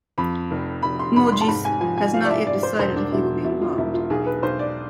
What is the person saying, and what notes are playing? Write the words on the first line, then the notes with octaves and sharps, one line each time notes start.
Mogis has not yet decided if he will be involved.
F2 B5
F1
F1 B5
C6
F1 B5
B5
C6
A5
G#2 B5
G#5
F3 G#5
G#5
F3 F5
D5
E5
G#2 D5
C5
E1 C5
D4
B2 E4
B2 E4
F4
E1 E4
F4
B1 G#4
B4
B1 C5
D5